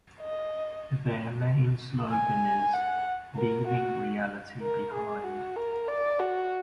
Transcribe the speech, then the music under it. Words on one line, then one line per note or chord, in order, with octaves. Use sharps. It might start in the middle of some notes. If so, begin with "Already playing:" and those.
Their main slogan is: leaving reality behind.
D#5
G#5
F#5
A#4
F#4
A#4
G#4
F#4
A#4
D5
F#4